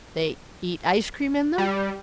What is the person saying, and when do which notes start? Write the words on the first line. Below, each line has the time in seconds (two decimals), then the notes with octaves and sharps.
"They eat ice-cream in them?"
1.58 G3